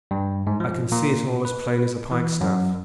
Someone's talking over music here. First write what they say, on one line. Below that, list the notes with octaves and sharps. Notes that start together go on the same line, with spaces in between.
I can see it all as plain as a pikestaff.
G2
G#2
F3
A#2
B4
E3
F#2